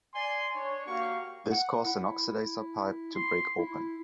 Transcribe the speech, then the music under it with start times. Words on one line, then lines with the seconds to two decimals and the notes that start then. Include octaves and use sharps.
This caused an oxidizer pipe to break open.
0.14 D5 G#5 C6
0.55 D4 C#5
0.87 A#3 F#4 G4 F5 C#6
1.51 F#5
1.85 E4
3.16 C6
3.58 E4